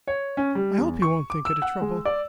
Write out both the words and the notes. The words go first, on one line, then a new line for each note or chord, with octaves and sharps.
I hope you won't think it a trouble?
C#5
C#4
G3
E2
C#6
D6
E6
F#5
G#3
D5